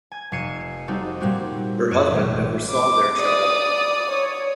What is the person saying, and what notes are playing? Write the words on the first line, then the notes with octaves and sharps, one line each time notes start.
Her husband never saw their child.
G#5 G#6
F1 G#5 C7 C#7 D#7 E7
G3 C4 D#4 F#4 G4 A4
A#2 G3 C4 F#4 G4
F#2 C#5 F#6 E7
A1 B2 G3
D6
D5 D#6
C#5